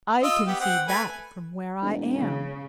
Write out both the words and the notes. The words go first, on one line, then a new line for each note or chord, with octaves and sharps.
I can see that from where I am.
F4 D#5 E6
B3 G4
C4 F#5
A3 B4 G#5
E1
C#3